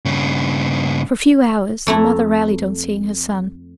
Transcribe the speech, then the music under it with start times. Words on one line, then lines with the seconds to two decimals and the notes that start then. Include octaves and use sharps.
For a few hours, the mother rallied on seeing her son.
0.05 G2 C#3
1.87 F2 A3 E4 A#5